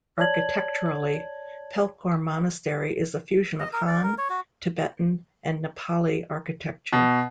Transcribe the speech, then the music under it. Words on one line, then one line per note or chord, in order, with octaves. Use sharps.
Architecturally, Pelkhor monastery is a fusion of Han, Tibetan and Nepali architecture.
C#5 D5 A5 G#6 F#7
D#5
A#4
D5
A#4
C#5
F#4
B2